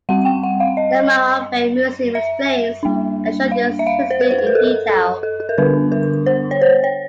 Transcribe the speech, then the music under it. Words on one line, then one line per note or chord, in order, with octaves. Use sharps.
The Mahone Bay Museum explains and shows this history in detail.
G3 C4 F#5
G5
F#5
F5
D#5
E5
G3 A#3 D4
F5
E5
F5
C5
B4
C5
B4
A#4
A4
A4
A4
A4
A#4
D3 G3 B3 D4 B4
A#4
C5
C#5
C5
C#5